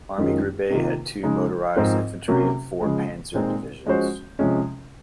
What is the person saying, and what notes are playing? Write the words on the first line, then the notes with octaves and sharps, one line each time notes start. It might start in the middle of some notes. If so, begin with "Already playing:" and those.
Army Group A had two motorised infantry and four "panzer" divisions.
F#2 D#3 G#3 C#4 F4
C3 D#3 A#3 F4
C#3 G#3 D#4
G#2 F3 C4 F4 A#4
C3 F#3 A#3 C#4 F#4
C#3 F3 G#3
A#2 G#3 C4 D#4
F3 G#3 C#4 F#4 C5
C3 F3 G#3 C#4